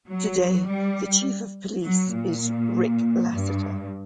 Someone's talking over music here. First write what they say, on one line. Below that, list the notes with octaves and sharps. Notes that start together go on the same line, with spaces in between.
Today the chief of police is Rick Lassiter.
F#3
G3
F#3
A#2
G2